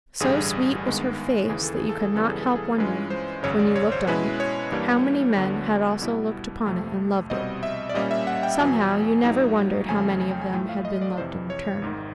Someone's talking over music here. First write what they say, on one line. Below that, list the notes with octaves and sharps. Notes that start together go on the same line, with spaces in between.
So sweet was her face that you could not help wondering, when you looked on it, how many men had also looked upon it and loved it. Somehow, you never wondered how many of them had been loved in return.
A1 G2 D3 G3 G#4
G#1 G2 D#3 G#3 B3
D#2 C#3 E3 G#4
A4
G#4
A4
G#4
F#2 C#3 E3 G3 B3 A4
G#4
A4
G#4
G2 E3 G#3 C#4 F4 B4
C5
G#1 F#2 C#3 C#5
D5
C#5
C5
B2 G#3 C#4 E4 B4
C#5
G2 E3 G3 A#3 D4
D2 D3 F#3 B3 D4
B2 G3 B3 E4
F2 C3 F3 A3
C2 B2 G3 C4 D#5
E5
D5
A#2 G3 A#3 C#4 D#5
E5
F#5
G5
E2 B2 F#3 G#5
A2 F#3 A#3 D#4
F2 C#3 F3 A3 G#5
G#5
G5
G#5
A2 F3 A3 G5
F5
D#5
D5
F2 C3 E3 C5
C#5
G#1 G#2 D#3